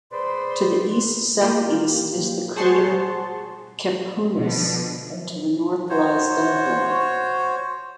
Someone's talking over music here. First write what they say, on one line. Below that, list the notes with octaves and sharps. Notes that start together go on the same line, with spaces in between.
To the east-southeast is the crater Capuanus, and to the north lies Dunthorne.
G#4 B4 C5 D5 B5 C6
A#3 F4 G4
G#4 C5 F#5 A5 C6 C#6
B2 D3 F3
F#4 C5 C#5